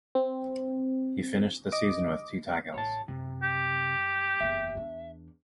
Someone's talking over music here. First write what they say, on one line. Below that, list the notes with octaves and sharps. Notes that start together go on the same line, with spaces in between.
He finished the season with two tackles.
C4
D#5 D6
A1 C#5 A5
F#2 C3
G4
F#1 E2 E5
E2 D4